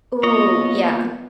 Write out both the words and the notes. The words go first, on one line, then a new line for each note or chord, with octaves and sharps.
Ooh, yeah.
A#3 B3 F4 C#5 D#5